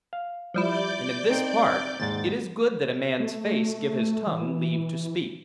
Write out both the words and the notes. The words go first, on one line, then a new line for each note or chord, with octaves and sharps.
And in this part, it is good that a man's face give his tongue leave to speak.
F5
F3 G3 E4 D5 D6 G6
C4 D#4
D#2 G#2 A6
A3
E3